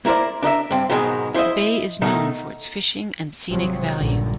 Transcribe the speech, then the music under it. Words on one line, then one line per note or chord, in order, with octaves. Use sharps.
The bay is known for its fishing and scenic value.
A#3 E4 A#4 C5 D5
D4 A#4 D#5 E5
G2 C4
G#2 B2 D#3 F#3 G#3
E4 C5 C#5 D#5 E5
B2 D#3 A3 D#4
G#1 C3 F3 F#3
A#1 G2 D3 D#3